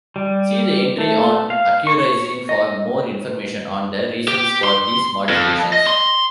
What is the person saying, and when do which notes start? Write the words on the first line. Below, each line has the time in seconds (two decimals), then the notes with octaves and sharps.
See the entry on accurizing for more information on the reasons for these modifications.
0.16 G3
0.98 A3
1.50 F5
1.87 C#6
2.49 D#5
4.28 G4
4.64 C6
5.29 F2
5.73 D#5
5.87 C6